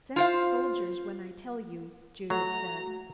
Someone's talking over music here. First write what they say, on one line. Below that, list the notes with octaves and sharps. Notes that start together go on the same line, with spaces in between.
"Send soldiers when I tell you," Judas said.
F4 C5 F5
F#3 A3 F#4 A#5